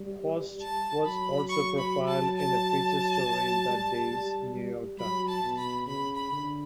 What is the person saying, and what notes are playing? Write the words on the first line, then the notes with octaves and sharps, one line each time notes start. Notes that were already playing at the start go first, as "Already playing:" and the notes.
Faust was also profiled in a feature story in that day's New York Times.
Already playing: G3
A5
F#3 B5
C#6
B5
A5
A5
F#3
G3
G3
G3
F#3 B5
A5
B2
B5
C#3 B5
B5
D3